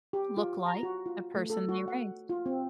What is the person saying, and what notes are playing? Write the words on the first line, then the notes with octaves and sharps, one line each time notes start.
look like the person they raised.
G4
F4
A#5
F#4
F4
A3
A4
F#4
F#5
F4
C4